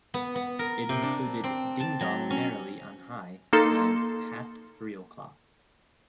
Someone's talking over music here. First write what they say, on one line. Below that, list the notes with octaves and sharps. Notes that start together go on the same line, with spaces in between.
It included "Ding Dong Merrily on High" and "Past Three O'Clock".
B3
B3
A#4
C3
D4
C4
A5
F#3
C#4
A#3 D#4 A4 C6